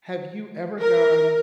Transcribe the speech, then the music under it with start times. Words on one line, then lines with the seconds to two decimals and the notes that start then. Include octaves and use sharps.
Have you ever gone
0.81 A#4